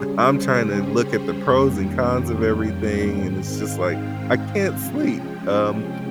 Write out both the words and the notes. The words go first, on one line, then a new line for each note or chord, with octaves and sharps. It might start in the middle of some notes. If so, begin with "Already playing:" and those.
I'm tryna look at the pros and cons of everything and it's just like, I can't sleep. Um,
Already playing: C#3 G3 C#4 G#4
C5
G5
F2 D#3 G3 A#3 C#4
G#2 D#3 G#3 C4 G5
F5
G5
G5
C3 F3 G#3 C#4
G5